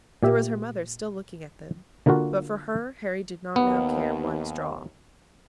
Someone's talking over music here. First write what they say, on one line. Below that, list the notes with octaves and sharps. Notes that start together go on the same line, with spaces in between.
There was her mother still looking at them; but for her Harry did not now care one straw.
A#2 G4 E5
D3 A#3 D4 F4 F#4
D#2 B3